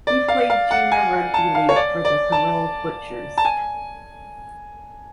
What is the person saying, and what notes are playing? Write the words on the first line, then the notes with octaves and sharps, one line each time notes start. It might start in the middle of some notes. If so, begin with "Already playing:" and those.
He played junior rugby league for the Thirroul Butchers.
D5
F5
F5
F#5
G#5
A5
F5
C#5
D5
D5
A5
A5
G#5